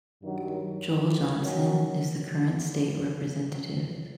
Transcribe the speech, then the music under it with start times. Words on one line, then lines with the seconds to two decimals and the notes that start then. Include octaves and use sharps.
Joel Johnson is the current State Representative.
0.22 G2 D#3 F#3
1.41 D#3 F#3 A#3 C#4 F#4